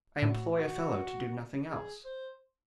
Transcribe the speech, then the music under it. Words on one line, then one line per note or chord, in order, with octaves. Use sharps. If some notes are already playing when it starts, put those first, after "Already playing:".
I employ a fellow to do nothing else.
A2 F#4
F#4
G#4
C5